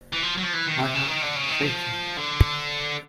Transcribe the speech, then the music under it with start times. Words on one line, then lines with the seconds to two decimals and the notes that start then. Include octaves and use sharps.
I had faith in them.
0.13 E3
0.23 F3
0.38 F#3
0.43 F3
0.53 E3
0.67 D#3
0.81 C3
0.94 C#3
1.07 D#3
1.21 D3
1.35 C#3
1.49 D#3
1.63 F3
2.17 D3